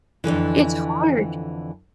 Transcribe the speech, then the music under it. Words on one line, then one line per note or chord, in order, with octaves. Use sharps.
It's hard,
F2 A2 D3 E3